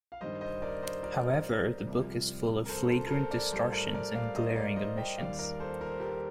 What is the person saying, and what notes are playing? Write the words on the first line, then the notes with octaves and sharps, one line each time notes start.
However, the book is full of flagrant distortions and glaring omissions.
F5
G2 D#3 G3 C5 D#5
C5 D#5
A#4 D5
C5 D#5
A#4 D5
C2 C3 F3
A#4
A4 C5
A4 C5
A#4
A4 C5
A#4 D5
A2 G3 A4 C5
A#4 D5
A#4 D5
D5 F5
C5 D#5
D#5
A#4 D5
C5 D#5
D#5 G5
D#2 D#3 G3 D5 F5
A#4 D5
A4 C5
A#4
C5
G4 A#4